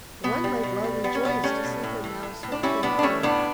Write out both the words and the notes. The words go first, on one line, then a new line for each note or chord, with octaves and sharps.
One might well rejoice to see her now so full of joy.
B2 B3
G3
B2
G3
G3 B3
C#4
B2 B3
G3 A3 C#4
B2
A2
E3
A2
A2
D4
G3 C#4 E4
A2 B3 D4
D4
G3 A3 C#4
A2 B3 D4